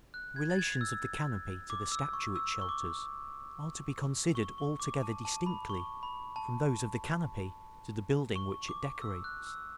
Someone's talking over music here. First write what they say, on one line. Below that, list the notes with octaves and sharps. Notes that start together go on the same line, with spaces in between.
The relations of the canopy to the statue it shelters, are to be considered altogether distinctly from those of the canopy to the building which it decorates.
F#6
G#6
A6
G#6
E6
D6
E6
C#6
E6
C#6
D6
C#6
C#6
D6
A5
A5
B5
C#6
B5
A5
C#6
D6
E6
F#6
E6